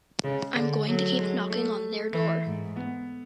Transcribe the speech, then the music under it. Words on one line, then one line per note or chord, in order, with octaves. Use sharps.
I'm going to keep knocking on their door.
C#3 G#3
D3 G#3
F#3 A3
G#3
A3
E3
G#2
B3